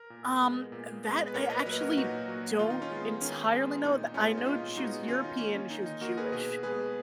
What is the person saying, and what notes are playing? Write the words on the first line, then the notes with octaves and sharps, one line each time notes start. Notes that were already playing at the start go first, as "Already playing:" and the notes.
Um, that I actually don't entirely know, th I know she was European, she was Jewish,
Already playing: A#4
A#2
G#3 B3
A#2
G#3 B3
B4
A#2 A#4 C#5
B4 D#5
F#3 A#3 B4 D#5
F#4 A#4
A#2 D#4 F#4
F#3 A#3
D#3 F4
D#4
C#4 F4
G#3 B3
D#3 C#4
G#3 B3
A#2 D#4
G#3 B3 C#4 F4
D#4
A#2 C#4 F4
G#3 B3 D#4 F#4
F#4
D#3 C#4 F4
D#4
A#3 C#4
C#4
D#3 D#4
D#4
A#3 F#4 A#4
G#4 B4
B2 G#4 B4
G#3 B3 G#4 B4